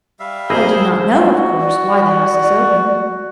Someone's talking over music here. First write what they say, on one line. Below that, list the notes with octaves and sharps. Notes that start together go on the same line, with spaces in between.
I do not know, of course, why the house is open.
G3 E5 F5
G#1 E4 G4 G#4 C5 D#5
F#4
D5